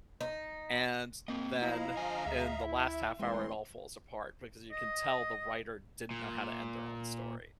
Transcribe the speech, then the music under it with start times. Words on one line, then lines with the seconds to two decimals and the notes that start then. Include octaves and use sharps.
and then in the last half hour it all falls apart because you can tell the writer didn't know how to end their own story.
0.21 D#4
1.28 A#3 C4 D#5
1.62 F3 E4 D#5 F5 A#5
1.97 D3 F3 G#5
2.27 D2 G#3 E5
2.59 E4
3.20 D2 E3 G#3 C4 C6
4.72 D#5
6.11 A#2